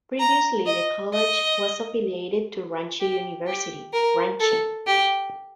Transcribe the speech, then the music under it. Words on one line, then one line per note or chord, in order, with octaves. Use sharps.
Previously the college was affiliated to Ranchi University, Ranchi.
A#5
D#5
D#5
G4
G4
A#4
A4
G4